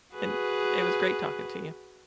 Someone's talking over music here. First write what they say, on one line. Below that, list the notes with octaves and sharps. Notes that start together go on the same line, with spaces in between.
And it was great talking to you.
F#4 G#4 B4